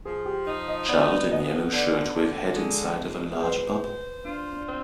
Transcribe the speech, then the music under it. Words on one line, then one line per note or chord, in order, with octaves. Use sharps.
Child in yellow shirt with head inside of a large bubble.
F3 G#4
G4
D#4 D#5
D#5
B3 D5
B3 D#5
D3 D5
D3
G#3
G#3
G#4
B4 C5
C5
D4 F4
D4
C4